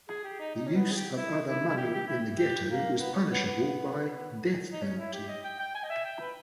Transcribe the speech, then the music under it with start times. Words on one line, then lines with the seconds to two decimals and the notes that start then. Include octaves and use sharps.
The use of other money in the Ghetto was punishable by death penalty.
0.09 G#4
0.24 G4
0.40 D#4
0.55 D#4
0.67 C#4
0.75 B3
0.91 G#4
0.96 G4
1.16 E4
1.47 E4
1.68 E4
1.77 G4
1.93 G4
2.08 E4
2.38 G4
2.69 A#3
2.99 B3
3.14 C#4
3.30 B3
3.45 B3
4.72 D#4
4.82 C#4
4.98 E4
5.13 G4
5.28 D#5
5.44 G5
5.59 G5
5.75 G#5
5.84 D#5
5.90 E5
6.05 G5
6.20 B4